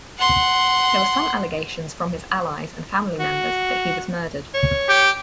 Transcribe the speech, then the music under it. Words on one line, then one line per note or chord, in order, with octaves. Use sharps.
There were some allegations from his allies and family members that he was murdered.
F#5 C6
F#4
C#5
G4